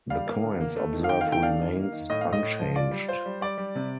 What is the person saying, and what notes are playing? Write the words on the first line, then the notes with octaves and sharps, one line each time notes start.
The coin's obverse remains unchanged.
G3 F5
A#3
D3
A#3
A3
D#3
F5
D#3 G5
F5
A3
G5
D4 F5
D#3
A#3
D#3
A2 D#5
A2 F5
D#5
A2
F3
F4 D5
G3
F4 C5
G3
G3 D5
G3
C3